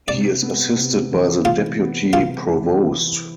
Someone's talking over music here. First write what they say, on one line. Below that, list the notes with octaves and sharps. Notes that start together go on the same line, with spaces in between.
He is assisted by the Deputy Provost.
C3 D5
B3
C3
E3
C3 F4
B3
C3 F4
E3